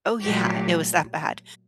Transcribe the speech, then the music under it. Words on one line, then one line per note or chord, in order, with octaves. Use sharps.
Oh, yeah. It was that bad.
A#2 F#3 A3 G4